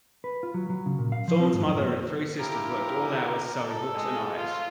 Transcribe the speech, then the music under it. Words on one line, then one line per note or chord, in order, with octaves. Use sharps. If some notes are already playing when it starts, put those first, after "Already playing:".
Thorne's mother and three sisters worked all hours sewing hooks and eyes.
B4
F4
F#3
F#3
C#3
A#2
F5
F3
C4
G#2
F#2
A#3
F3 E4 G4 A#4
A4
G#3
F4